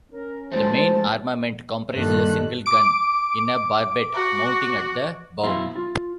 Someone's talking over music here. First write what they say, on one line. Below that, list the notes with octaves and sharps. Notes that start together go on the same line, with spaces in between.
The main armament comprised a single gun in a barbette mounting at the bow.
C#4 A#4
F3 G#3 A3 C5 A5
G2 A#2 D#3 G3 A4 F#6
D6 D7
F#4
F#2 B2 E4 F5 C6
F4